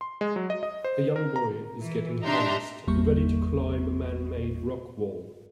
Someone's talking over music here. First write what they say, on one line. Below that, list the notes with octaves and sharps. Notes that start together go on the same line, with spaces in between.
A young boy is getting harnessed and ready to climb a manmade rock wall.
C6
G#3
F#3
D#5
D#5
C5
A#4
A#5
E3
D4 D#4 G4 E5 A#5 C6
G#1 E2 G3 A#3 C#6